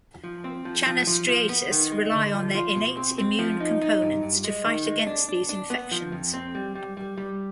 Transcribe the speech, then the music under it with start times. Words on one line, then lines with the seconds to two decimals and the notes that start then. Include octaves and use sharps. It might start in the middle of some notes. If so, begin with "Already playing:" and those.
Channa striatus rely on their innate immune components to fight against these infections.
0.24 F3
0.44 C4
0.65 F3
0.86 F3
1.07 F3
1.28 F3
1.49 B3
1.71 D#3
1.92 G#3
2.12 D3
2.34 F3
2.55 F4
2.76 B2
2.97 C4
3.18 C4
3.39 F3
3.60 D#4
3.82 D#4
4.02 G2
4.23 G2
4.44 G#3
4.65 D#3
4.86 G#3
5.07 D4
5.29 D4
5.49 D4
5.70 B3
5.91 F3
6.12 F2
6.34 C4
6.55 G3
6.75 G3
6.97 G3
7.18 G3